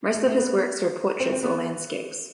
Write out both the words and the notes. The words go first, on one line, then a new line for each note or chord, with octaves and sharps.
Most of his works were portraits or landscapes.
A3
A3
B3
C4
C4
B3